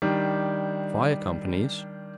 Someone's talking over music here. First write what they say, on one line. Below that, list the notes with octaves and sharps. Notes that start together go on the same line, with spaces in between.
Fire Companies.
D#3 G3 D4